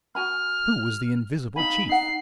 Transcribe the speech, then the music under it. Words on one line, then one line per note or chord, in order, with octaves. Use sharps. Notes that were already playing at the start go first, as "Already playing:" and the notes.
Who was the invisible chief?
F#4 G#5 B5 F6
D#4 F5 G#5 B5
D#4 F#5 C7